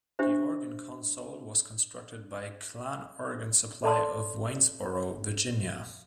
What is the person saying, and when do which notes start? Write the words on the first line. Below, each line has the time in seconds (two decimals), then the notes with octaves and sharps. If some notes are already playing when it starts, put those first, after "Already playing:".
The organ console was constructed by Klann Organ Supply of Waynesboro, Virginia.
0.19 D4 G4 C5 E5
3.84 A4 D5 A5 C6